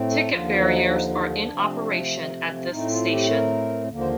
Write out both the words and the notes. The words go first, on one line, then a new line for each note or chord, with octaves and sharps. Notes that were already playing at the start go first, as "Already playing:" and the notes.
Ticket barriers are in operation at this station.
Already playing: A2 A3 C4
A4
D#2 D3 F3 F4
D#4
D#4
D#4
D4
C3 F3 A3 C4
A2 A3 C4 D#4
F4
G4
A#4
D#2 D3 F3 A#3
C5